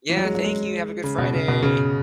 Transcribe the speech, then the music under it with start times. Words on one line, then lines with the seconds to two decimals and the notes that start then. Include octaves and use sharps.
Yeah, thank you, have a good Friday.
0.10 E3
0.17 F#3
0.25 G#3
0.35 F#3
0.44 G#3
1.04 C#3
1.18 B2
1.33 C#3
1.48 B2
1.63 C#3